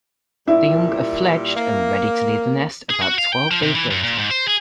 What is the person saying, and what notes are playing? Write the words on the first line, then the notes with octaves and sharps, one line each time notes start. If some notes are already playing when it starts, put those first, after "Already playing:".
The young are fledged and ready to leave the nest about twelve days later.
A#2 G3 E4
A#3
G#4
F#4
F5
G5
F3
C3
E3
F#2
A#2
G#2
C5
G#4